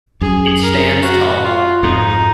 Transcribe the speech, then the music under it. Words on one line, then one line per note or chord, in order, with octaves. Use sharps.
It stands tall.
F#2 G#4
A#4
F#4
F4
F2 G#2 D#4